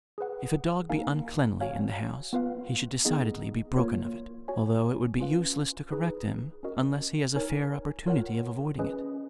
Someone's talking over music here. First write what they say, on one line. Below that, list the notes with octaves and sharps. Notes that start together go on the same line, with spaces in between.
If a dog be uncleanly in the house, he should decidedly be broken of it, although it would be useless to correct him unless he has a fair opportunity of avoiding it.
G#4 B4 F#5
A#3 D#4 A#4 F5 G#5
F#4 C#5 F5 G#5
B3 F4 B4 F5
B3 D#4 G#4 D#5
A#3 F4 A#4 C#5
F#4 C#5 G#5
C#4 F4 B4 F5
D#4 G#4 B4
C#4 F#4 A#4 D#5
D#4 A#4 C#5 G#5
F4 A#4 C#5 F#5
C#4 G#4 B4 D#5